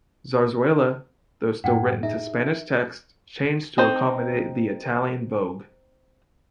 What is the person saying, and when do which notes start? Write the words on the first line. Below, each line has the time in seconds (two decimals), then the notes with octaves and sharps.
"Zarzuela", though still written to Spanish texts, changed to accommodate the Italian vogue.
1.64 F#2 A2 F#5 G5
2.03 D#4 G#4 E5
3.78 C4 D#4 C5